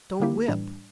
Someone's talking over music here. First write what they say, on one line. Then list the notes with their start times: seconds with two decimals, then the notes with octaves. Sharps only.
"Don't whip."
0.20 D3 G3 A#3 E4 G4
0.48 A2 E3 G3 D4